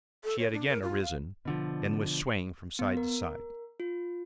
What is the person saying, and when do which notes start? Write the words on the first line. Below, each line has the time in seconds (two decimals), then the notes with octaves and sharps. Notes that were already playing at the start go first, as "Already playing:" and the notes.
She had again arisen and was swaying from side to side.
0.24 A4
0.39 C#5
0.53 D4
0.69 A#4
0.82 F4
1.02 F5
1.45 B2 D3 F3
2.79 B3
2.97 A#4
3.80 F4